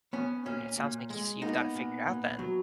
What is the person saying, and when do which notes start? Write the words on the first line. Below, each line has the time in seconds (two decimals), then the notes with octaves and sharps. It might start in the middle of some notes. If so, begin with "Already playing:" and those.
I mean, it sounds like you see you've gotta figure out then.
0.13 B3 C#4
0.46 A#2 C#4
0.78 A#2
1.10 G#3
1.42 A#3 B3 D#4
1.75 A#2
2.07 A#2
2.39 F#3